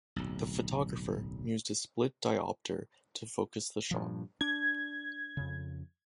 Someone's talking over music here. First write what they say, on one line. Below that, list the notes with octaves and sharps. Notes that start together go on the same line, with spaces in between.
The photographer used a split-diopter to focus the shot.
D1 B1
G2 A#2 F3
D4 G#6
F2 C#3